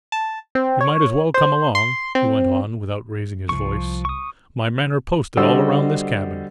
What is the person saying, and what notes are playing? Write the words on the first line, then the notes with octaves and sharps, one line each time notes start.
"You might as well come along," he went on, without raising his voice. "My men are posted all around this cabin."
A5
C4
C#5
C5
C6
C4
C2 F3 C#6
C#6 D#6
D3 G3 F#4 C5 D#5 E6